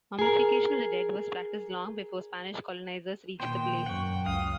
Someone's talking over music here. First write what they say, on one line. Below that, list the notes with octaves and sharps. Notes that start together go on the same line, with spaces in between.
Mummification of the dead was practiced long before Spanish colonizers reached the place.
G#4 A#4
A#2 D#3 B3 C5 G5
F#2 F#5 C#6
C#2 F5 D#6